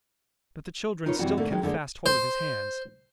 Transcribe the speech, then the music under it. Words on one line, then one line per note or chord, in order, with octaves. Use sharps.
But the children still kept fast hold of his hands.
D#4 F4 A#4 B4 C#5
F#2 C3 E3 G3 F#4
G#2 D3 A3 A#3 D4
D#3 F#3 G#3 C#4
D3 G3 G#3 A#3
C5